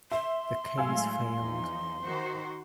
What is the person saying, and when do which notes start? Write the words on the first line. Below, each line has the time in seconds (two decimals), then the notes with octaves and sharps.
The case failed.
0.11 E5 C6
0.78 A2 F#3 G#3 F5 G#5 E6
1.38 E2 F3 D#4
2.01 D#3 F#4 C5